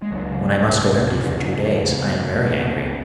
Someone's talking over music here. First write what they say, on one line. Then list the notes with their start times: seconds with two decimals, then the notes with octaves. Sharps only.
When I must go empty for two days I am very angry.
0.02 G#3
0.12 C#2 F#3
0.31 C#3
0.50 C#2
0.69 C#3
0.88 C#2
1.07 C#3
1.18 D3
1.25 D2 F3
1.44 C#3 F#3
1.64 D2 G#3
1.83 C#3 A3
1.97 B3
2.02 D2
2.12 G#3
2.21 C#3 A3
2.26 B3
2.40 C#2 B3
2.53 A3
2.59 C#3
2.67 B3
2.78 C#2